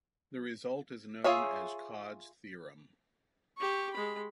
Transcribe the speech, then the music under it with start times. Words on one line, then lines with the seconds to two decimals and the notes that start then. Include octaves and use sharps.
This result is known as Codd's theorem.
1.24 F4 G#4 C#5 E5
3.57 G4 C#6
3.94 G#3 B5